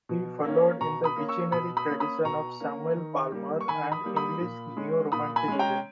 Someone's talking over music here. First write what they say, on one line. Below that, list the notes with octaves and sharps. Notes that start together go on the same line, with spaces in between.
He followed in the visionary tradition of Samuel Palmer and English neo-romanticism.
B2
A#3 C#4
B2 A#5 C#6
B5 D#6
A#3 C#4
C#6 E6
B2 B5 D#6
B5 D#6
A#3 C#4
B5 D#6
B2 A#5 C#6
A#3 C#4
D#3
G3 A#3
C#6
D#3 G#5 B5
B5 D#6
G3 A#3
B5 D#6
A#2
G#3 C#4
A#2 B5 D#6
G#5 B5
G#3 C#4
G5 A#5